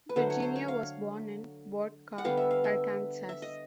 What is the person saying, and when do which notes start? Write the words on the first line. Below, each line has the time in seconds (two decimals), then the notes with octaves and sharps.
Virginia was born in Bodcaw, Arkansas.
0.09 B4
0.16 D3 F#3 A3 C5
0.30 C#5
0.42 C5
0.56 C#5
0.68 F5
2.18 F#5
2.24 D3 G3 B3 F5
2.37 E5
2.51 F5
2.64 E5
3.29 E5
3.42 D#5